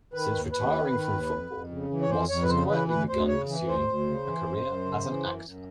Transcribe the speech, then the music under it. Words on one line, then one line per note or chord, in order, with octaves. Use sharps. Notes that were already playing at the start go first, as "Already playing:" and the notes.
Since retiring from football, Moss has quietly begun pursuing a career as an actor.
D#3 B4
D#2
D#2 B4
D#3
D#3
D#2
F2
F2
C#3
E3
C#5
F2 C5
F2 C#5
B4
C#3 C5
E3 B4
D2 B4
D2 C5
C#3 C#5
E3
D2 C5
D2
C#3
E3
F#2
F#2
C#3
E3
F#2
F#2